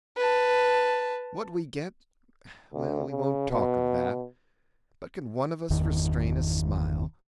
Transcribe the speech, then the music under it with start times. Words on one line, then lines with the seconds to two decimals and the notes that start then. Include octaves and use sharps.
What we get--well, we won't talk of that; but can one of us restrain a smile?
0.17 B4 A5
2.73 D2
3.10 C#3
3.50 B2
5.70 G1 E2 D#3